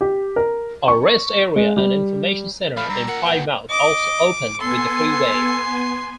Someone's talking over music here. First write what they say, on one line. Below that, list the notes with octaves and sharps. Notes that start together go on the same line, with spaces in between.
A rest area and information center in Plymouth also opened with the freeway.
G4
A#4
C#6
G#3
G3
F3 A3 F5 B5
G2 A#5 E6
A#2 A#4 F#5
B4 G5
D#5 D6
B3 A4 G#5 C6